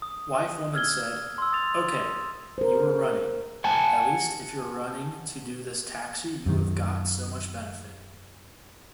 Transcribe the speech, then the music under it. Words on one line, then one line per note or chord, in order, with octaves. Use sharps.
Wife/Woman said: Okay, you were running, at least if you were running to this taxi you would have got so much benefit.
D#6
E6 F6 G#6 G7
C6 E6
D#6 A6 F7
A#4 C5
F#5 G#5 A5
F#2 D#3